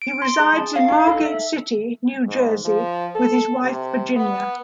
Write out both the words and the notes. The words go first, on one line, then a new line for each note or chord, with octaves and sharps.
He resides in Margate City, New Jersey with his wife, Virginia.
D7
C6
G#4
A5
F5
D#4
A4
E5
G#2
F3
A4
C3
B3